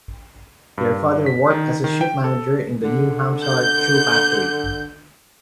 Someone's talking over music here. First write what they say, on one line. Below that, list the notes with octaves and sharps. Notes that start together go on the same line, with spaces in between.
Their father worked as a shift manager in a New Hampshire shoe factory.
G2
B6
D#3
D#3
G5
A4
D3
G6